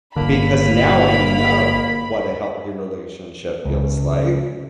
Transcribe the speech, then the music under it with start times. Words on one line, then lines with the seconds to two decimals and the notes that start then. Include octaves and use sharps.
Because now I know what a healthy relationship feels like,
0.16 G1 D3 A#3 B5
3.65 C#2